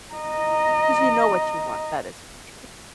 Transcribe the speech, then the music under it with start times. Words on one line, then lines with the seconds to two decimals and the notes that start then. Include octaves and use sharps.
‘Cause you know what you want. That is for true.
0.13 D#5 A#5